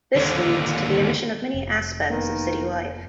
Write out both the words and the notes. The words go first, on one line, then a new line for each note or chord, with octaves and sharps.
This leads to the omission of many aspects of city life.
D#2 D3
F1
D#3 A#3 B3 A#4